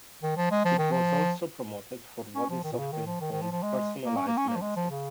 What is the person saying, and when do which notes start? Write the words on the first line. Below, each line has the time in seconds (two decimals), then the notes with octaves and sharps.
It was also promoted for what is often called Personalized Medicine.
0.23 D#3
0.37 F3
0.51 G#3
0.65 F3
0.78 D#3
0.92 F3
2.35 C#4
2.50 F3
2.64 D#3
2.72 A#2
2.78 C#3
2.92 D#3
3.06 F3
3.21 D#3
3.31 D#3
3.42 F3
3.52 F3
3.63 G#3
4.05 A#3
4.16 C#4
4.27 A#3
4.37 C#4
4.48 A#3
4.56 F3
4.62 G#3
4.76 F3
4.91 C#3